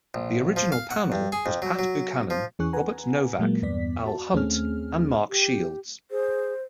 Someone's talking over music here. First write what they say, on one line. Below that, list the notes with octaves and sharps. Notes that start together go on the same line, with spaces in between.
The original panel was Pat Buchanan, Robert Novak, Al Hunt, and Mark Shields.
A#1
F3
F5
F#5
G2
G#4
F2
F#3
F#3
F3
E2 E3 C#4 G#4 C#6 F#6
B4 F#5 G#5 A#5
A#2 F#3 G#3 A#3
E2 G2 B3 D5 B6
F#4 A5
D#2 A3 C4 C#4 G#4 F6
G4
G#4 C5